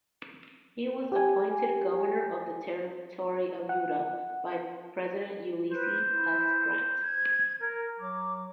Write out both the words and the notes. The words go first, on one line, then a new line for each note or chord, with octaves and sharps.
He was appointed governor of the territory of Utah by President Ulysses S. Grant.
G4 G#5
F#5
B4 C5
E4
G#6
A#4
F#3 D6